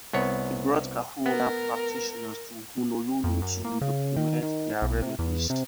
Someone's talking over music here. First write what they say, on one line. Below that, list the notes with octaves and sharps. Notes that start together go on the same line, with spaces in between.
He brought kahuna practitioners to Honolulu to document their remedies.
C2 B3 C#5
B3 A#4
F2
F#2
A#3
C#3
D#3
D#3
B1
C3
E2
C3